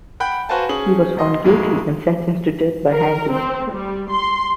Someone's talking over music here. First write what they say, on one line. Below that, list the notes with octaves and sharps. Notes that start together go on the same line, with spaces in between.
He was found guilty and sentenced to death by hanging.
F#5 G5 B5 F#6 G6
F#4 B4 C5 F5 G#5 A5
C#4 G#4 F#7
E1 D#5 C6
F2 A2 G#3 A#3
A#4
C4
G3
C6